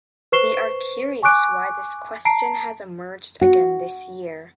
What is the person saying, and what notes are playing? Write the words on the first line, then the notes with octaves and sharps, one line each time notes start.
We are curious why this question has emerged again this year.
B4 C5 C#6 C7 E7 G7
G#5 C#6 D6 F#6 D7
A5 A#5 C7 D7
F#4